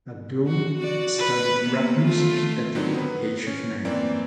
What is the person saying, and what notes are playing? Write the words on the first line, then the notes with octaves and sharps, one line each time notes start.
Abdul started rap music at the age of nine.
F#4
F#4 D5
B4
A#3 B3
A3 F4
D3 D#3 F#3 B3 C4
B3 B4
C#4
E3 A#3 C4 D5